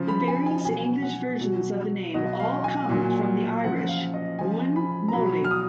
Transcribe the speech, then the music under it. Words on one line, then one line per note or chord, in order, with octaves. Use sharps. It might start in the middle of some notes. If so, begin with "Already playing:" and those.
The various English versions of the name all come from the Irish, "Muine Moling".
Already playing: C#3 F3
B5
G#5
G#5
B2 F#3 G#5
F#5
B2 F#3
B2 F#3 D#5
F5
G#5
A#2 F#3
C#3 F3 F#5
F5
D#5
C#3 F3 G#5
B5
A#5
B2 F#3 B5
F6
D#6